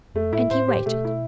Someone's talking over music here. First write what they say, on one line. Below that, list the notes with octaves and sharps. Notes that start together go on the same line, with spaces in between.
And he waited.
F2 A3
A2 E4
A2 C5
G4
B2 A3
E4